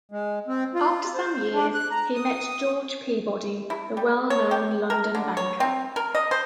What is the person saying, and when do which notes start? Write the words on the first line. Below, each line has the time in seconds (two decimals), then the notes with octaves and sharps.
After some years, he met George Peabody, the well-known London banker.
0.12 G#3
0.48 C4
0.75 F4
1.15 C5
1.53 D4
1.74 F#6
1.91 A#5
2.15 D#6
3.70 E4
3.97 G3
4.30 C#5
4.51 G4
4.90 A#4
5.15 D3
5.37 C#5
5.60 C4
5.96 A#4
6.15 D#5
6.31 C5